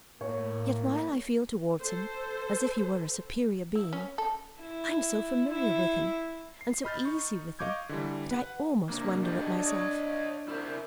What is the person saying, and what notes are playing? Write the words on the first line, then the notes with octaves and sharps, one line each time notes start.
Yet while I feel towards him as if he were a superior being, I am so familiar with him and so easy with him that I almost wonder at myself.
A2 A#3 C#5
A4 C5
E4
C#4
A4
E4
E4
C7
D#5 B5 F6 G6 A6
D#4 C#6
D#5 F5 C#6 D6 G6 G#6
D3 E3 G3
B4 F#5
C3 A#3 D4
G4 A4 D#5
C#5 D#5
E4 A#4 C5